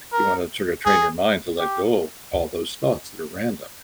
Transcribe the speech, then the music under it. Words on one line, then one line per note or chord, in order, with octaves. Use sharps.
you wanna sort of train your mind to let go of all those thoughts that are random.
A#4
G#4
G4